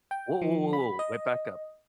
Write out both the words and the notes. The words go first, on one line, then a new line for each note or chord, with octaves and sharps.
Whoa, whoa, whoa, whoa, wait, back up.
G5
F3
B5
D#5